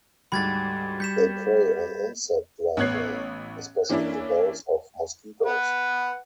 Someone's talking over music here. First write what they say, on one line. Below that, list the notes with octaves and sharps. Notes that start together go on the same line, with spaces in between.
They prey on insect larvae, especially those of mosquitos.
D2 G#2 G3 F#4 B5 G#6 A6
G3 C#6 G6 B6 C#7 E7
A1 B3 C#5 F#6 G#6 C7
E3 A#3 C#4 D4 E4
B4 F#5